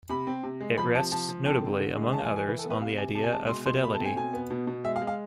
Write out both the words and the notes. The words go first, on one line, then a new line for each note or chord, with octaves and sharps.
It rests notably, among others, on the idea of Fidelity.
C3 B5
C4
C3
G#3
F3 B5
C3 A5
F3 A5
F3
C4 A5
D3
D3
G#3
E3 A5
F5
G#5
E3
G#5
E3 B4
A4
B3
B4
C3 F5
C3 G#5
C3 A5
G#5
G#3 A5
B2 C6
B2 C6
A3 B5
A5
C4
G#5
B2 G#5
B3
B2
B2
G#3 E5
F5
G#3
F5